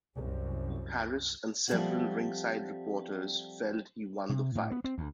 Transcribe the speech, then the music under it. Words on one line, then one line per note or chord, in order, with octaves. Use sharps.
Harris and several ringside reporters felt he won the fight.
C2 F#2
F3 G3 A3 C4 F#4 F#5
C3
A2
B3
C4
D2